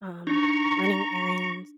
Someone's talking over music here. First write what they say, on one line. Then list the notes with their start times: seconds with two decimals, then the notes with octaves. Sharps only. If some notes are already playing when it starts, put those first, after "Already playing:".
Um, running errands
0.27 D4 D#4 A#5 C#6